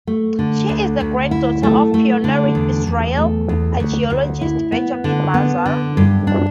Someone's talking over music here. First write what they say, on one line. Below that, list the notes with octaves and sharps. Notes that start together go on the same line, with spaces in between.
She is the granddaughter of pioneering Israeli archaeologist Benjamin Mazar.
A3
D3
D2
D2
E4
A3
A3
D3
E2
E2
A3
E2
D2
D2
E4
B3
D3
B3
D3
G2
D4